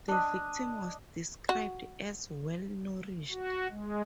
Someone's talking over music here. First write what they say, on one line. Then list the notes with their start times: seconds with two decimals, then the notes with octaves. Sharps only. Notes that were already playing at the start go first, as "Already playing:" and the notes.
The victim was described as "well nourished".
0.08 D4 D#5
1.49 F#4
3.30 F#4
3.69 G#3